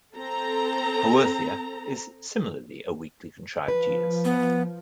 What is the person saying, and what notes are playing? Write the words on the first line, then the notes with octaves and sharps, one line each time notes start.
"Haworthia" is similarly a weakly contrived genus.
C4 A4 A#5
F3 B4
B3